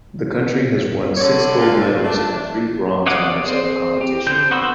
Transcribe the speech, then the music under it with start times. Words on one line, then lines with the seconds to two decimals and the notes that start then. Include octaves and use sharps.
The country has won six gold medals and three bronze medals at the competition.
1.17 D3 C#5 D5
1.62 F4
2.04 A3 D4 A5
3.06 C#5 D#5 F5 F#5 D6
3.20 D5
3.46 C4 G#4
4.01 G4
4.27 D3 C4 G6
4.51 B3 F#4 C6 E6